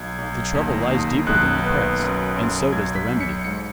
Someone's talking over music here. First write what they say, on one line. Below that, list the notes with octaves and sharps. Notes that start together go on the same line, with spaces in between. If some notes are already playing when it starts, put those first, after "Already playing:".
The trouble lies deeper than the press, and so does the remedy.
Already playing: B1 G#6
B1
D#2
D#2
B1 F#6
B3
F#2
F#2
B1 G#6
B6
B1
C#7
G#2 C#7